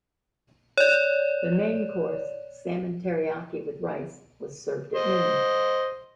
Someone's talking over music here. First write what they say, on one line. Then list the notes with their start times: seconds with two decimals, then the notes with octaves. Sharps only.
The main course, salmon teriyaki with rice, was served at noon.
0.78 C#5 D5
4.95 C5 D#5